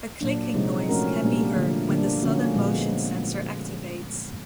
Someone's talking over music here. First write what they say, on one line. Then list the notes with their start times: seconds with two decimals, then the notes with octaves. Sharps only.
A clicking noise can be heard when the sudden motion sensor activates.
0.21 A#2 F#3 A#3 D4
0.55 C3 F3 G#3 C4 D#4
0.89 F3 A3 C#4 F#4 A#4
1.22 A#2 G3 A#3 D4
1.56 D3 F3 A3
1.89 D3 G3 A#3 D4
2.23 D3 F3 A#3 C#4 F#4
2.56 A#2 F3 G#3 B3